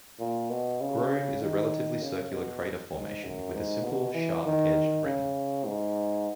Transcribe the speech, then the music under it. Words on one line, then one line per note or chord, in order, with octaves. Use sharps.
Grove is a relatively circular crater formation with a simple, sharp-edged rim.
A#2
B2
C#3
D#3
C#3
B2
G#2
F#2
G#2
B2
E3
D#3
C#3
G#2